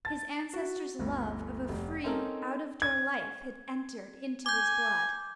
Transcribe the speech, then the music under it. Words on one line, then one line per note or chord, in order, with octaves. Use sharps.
His ancestors' love of a free, out-of-door life had entered into his blood.
A5 A6
F#4
G1 D2
F1
C4 C#4 D#4 A4 A#4
G#6
G#5 D6 G6